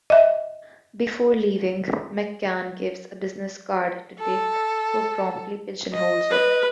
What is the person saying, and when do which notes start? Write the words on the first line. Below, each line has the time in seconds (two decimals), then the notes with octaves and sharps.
Before leaving, McCann gives a business card to Dick, who promptly pigeonholes it.
0.10 D#5 E5
4.19 A4
5.93 D#5
6.30 B4